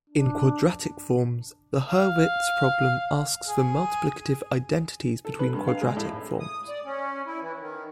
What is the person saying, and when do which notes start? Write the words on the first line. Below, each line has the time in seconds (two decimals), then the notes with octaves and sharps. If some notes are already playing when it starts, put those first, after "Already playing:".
In quadratic forms, the Hurwitz problem asks for multiplicative identities between quadratic forms.
0.10 D4
1.88 F5
3.46 G#4
5.25 A4
5.39 B4
5.54 G2
5.68 F5
5.81 G#3
5.96 A2
6.40 D#6
6.68 D5
6.85 C#4
7.27 E4
7.41 E3
7.59 D#3